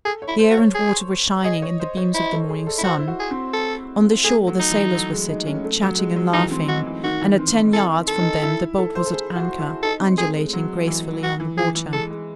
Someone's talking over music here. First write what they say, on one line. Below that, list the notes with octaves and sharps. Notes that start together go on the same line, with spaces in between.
The air and water were shining in the beams of the morning sun; on the shore the sailors were sitting, chatting and laughing; and at ten yards from them the boat was at anchor, undulating gracefully on the water.
G#4 A4
C#5
E4
C5
F#4
C#5
G#4
G#4 D#5
C#5
C5
C#5
E4 C5
A4
G#4
A4
E4
F#4 C5
E4
F#4
G#4
C4
A4
A3 G#4
F#3
D#4
E3
F#3
G#3
D#4
C#4
A3
F#3
G#3
F#3
E3 D#4
C4
D#4 F#4
E3
D#3 F#4
E3
C4
D#4
E4 A4
A4
D#4
E4
A4
C5
A4
G#4
F#4
E4
D#4 A4
C4
A3 G#4
G#3
F#3
E3
F#4
E3
E3 G#4
E3
G#3 A4
G#3